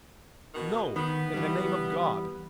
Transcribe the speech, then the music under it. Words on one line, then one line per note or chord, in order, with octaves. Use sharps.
No, in the name of God!
B2 D#3
D#3 B3
E3 G3